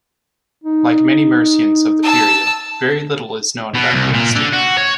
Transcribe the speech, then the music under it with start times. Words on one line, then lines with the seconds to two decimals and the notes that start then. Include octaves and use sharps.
Like many Mercians of the period very little is known about Wigstan.
0.64 D#4
2.03 A5 E6
3.75 B2
3.93 C2
4.14 A#2
4.36 D3
4.53 F#4
4.78 C#5